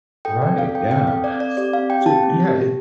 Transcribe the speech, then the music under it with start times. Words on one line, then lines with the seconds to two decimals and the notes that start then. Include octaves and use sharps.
Right. Yeah. S So yeah, it's
0.25 A4 G5
0.42 D5
0.47 C4
0.58 F5
0.69 A4
0.75 G5
0.91 C4 G5
1.08 F5
1.13 A4
1.24 D5
1.35 C4
1.40 D5
1.57 G4 D5
1.73 F5
1.79 C4
1.90 G5
2.01 G4 A5
2.23 C4
2.45 G4